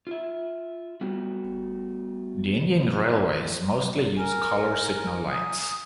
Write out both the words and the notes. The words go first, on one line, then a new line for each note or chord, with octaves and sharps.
The Indian Railways mostly use colour signal lights.
F4 E5
G3 A3 B3 F#4
A#4 G#5 A#5
D#6